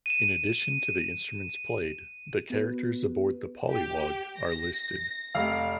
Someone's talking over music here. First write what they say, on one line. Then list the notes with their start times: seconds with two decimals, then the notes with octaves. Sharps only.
In addition to instruments played, the characters aboard the "Pollywogg" are listed.
0.06 D#7 E7
2.50 B3 F#4 B4
3.70 G4
4.38 A#6
5.35 F1 F5